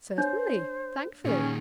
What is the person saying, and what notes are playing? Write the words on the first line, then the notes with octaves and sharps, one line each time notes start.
'Certainly; thankfully.
D4 C5 C#5
A#2 D#3 C#4 G#4